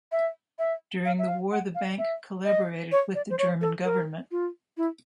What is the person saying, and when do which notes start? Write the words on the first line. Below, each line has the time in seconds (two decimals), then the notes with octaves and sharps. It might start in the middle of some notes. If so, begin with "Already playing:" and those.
During the War the Bank collaborated with the German government.
0.12 E5
0.59 E5
1.05 F5
1.19 E5
1.28 F5
1.52 F#5
1.75 F5
1.99 E5
2.45 D#5
2.92 C#5
3.15 D5
3.30 C5
3.38 C#5
3.61 A4
3.85 A#4
4.31 F4
4.77 E4